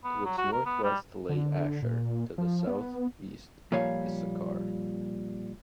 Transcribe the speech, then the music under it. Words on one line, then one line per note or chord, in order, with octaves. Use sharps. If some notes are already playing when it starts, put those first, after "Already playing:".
To its northwest lay Asher, to the southeast Issachar.
B3
F#3
F#4
A#4
B3
G3
D3
A#2
F3
B3
A#2 F3 G3 C#5 F5